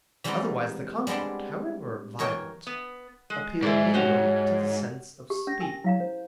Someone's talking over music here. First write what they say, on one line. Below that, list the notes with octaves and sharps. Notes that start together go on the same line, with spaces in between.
Otherwise the conflict, however violent, appealed mainly to the sense of speed.
E3 G3 G#3 B3 C4 D#4
G3 G#3 B3 C4 D4
E3 A#4 C#5 G5
B3
G#3
G#2 E4 G#4 D5
C#4 F#4 G4 C#5
G4
C#4 A#6
A#4 G5 G#5
F#3 E4 F5 A#5
C5